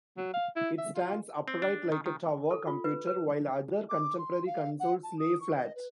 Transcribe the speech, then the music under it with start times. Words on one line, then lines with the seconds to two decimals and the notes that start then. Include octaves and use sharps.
It stands upright like a tower computer while other contemporary consoles lay flat.
0.17 F#3
0.34 F5
0.56 E4
0.78 E5
0.95 F4
1.48 C4
1.62 D4
1.92 D#3
2.06 D#3
2.51 A4
2.67 F4
2.84 B4
3.07 B4
3.89 D6
4.18 C6
4.46 F5
4.80 F#5
5.03 A5
5.19 D#6
5.40 C#6
5.57 D#5
5.75 B4